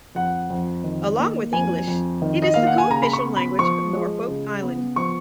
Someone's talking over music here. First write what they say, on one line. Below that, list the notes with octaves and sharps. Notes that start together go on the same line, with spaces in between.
Along with English, it is the co-official language of Norfolk Island.
F2 F#5
F2
D#3
A#3
F2 G#5
F2
D#3
D#5
A#3 F5
F#5
G#5
C#3 A#5
B5
C#6
B3
B5
F3 C#6
G#3
C#3
B3
F3 C#6